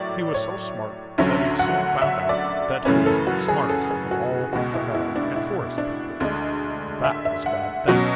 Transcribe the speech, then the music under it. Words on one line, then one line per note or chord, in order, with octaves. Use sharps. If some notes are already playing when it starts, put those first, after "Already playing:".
He was so smart that he soon found out that he was the smartest of all the meadow and forest people, and that was a bad thing.
Already playing: A2 F#3 C#5 D5 E5
C#5
D2 D3 F#3 C#4 E5
F#5
E5
D5
F#2 C#3 E3 A3 C#4 B4
A4
F#4
G#4
A4
G#4
F#4
C#2 B2 G#3 F#4
E4
E4
D4
E4
D4
D2 D3 G#3 D4
E5
E5
F#5
B2 F#3 C#4 F#4